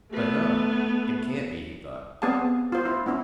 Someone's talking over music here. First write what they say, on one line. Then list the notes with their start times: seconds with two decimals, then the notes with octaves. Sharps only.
"But no, it can't be!" he thought.
0.11 A3 B3
2.22 B3 C4 G#4 F5 A5
2.72 F4 C5
2.85 E4
3.06 B3 C#4 E4